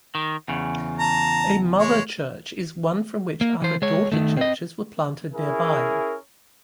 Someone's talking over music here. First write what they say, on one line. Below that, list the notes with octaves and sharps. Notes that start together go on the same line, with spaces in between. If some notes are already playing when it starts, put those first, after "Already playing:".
A mother church is one from which other "daughter churches" were planted nearby.
D#3
E2 C#3
A5 A#5
G#3 C#5
A#3
E3 C5
G#3 C#5
D#3 A3
C4 D#5
C#4 E4 G#4 A#4